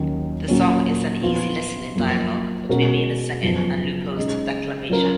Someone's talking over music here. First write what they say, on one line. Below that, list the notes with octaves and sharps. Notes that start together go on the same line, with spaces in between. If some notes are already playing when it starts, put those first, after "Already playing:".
The song is an easy listening dialogue between Mina's singing and Lupo's declamation.
Already playing: D#2 D#3 F#3 C#4
A#2 F#3 A#3 C#4
F3 B3 F4
F#2 F3 A#3
B2 G#3 C#4 F#4 A#4
F#2 C#3 F3 B3
C#3 G#3 D#4
F#3 C#4 F4 A#4